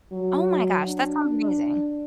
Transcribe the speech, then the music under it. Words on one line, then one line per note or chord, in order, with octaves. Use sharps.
Oh my gosh, that sounds amazing.
F#3
D4